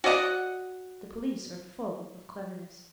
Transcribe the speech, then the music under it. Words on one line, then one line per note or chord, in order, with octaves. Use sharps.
The police are full of cleverness.
F#4 D5 D#5 F#5